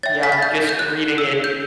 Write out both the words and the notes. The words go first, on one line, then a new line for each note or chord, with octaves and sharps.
Yeah. Just reading it,
C#5 E5 G5 A6
B6
A6
G6
G6
F#6
E6
G6